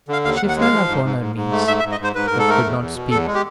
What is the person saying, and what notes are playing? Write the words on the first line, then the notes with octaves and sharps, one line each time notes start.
She fell upon her knees, but could not speak.
D3 F5
D#2 F5
F#5
D#2
F#5
G#3 F5
F3
G#2
G#2
G#2
G#2
A3
G#2 E5
E5
G#2
D#5
G#2 C5
G#2 B4
G#2 A#4
A4
A3 A#4
E2
E2
B2
E2 A4
G#3
G4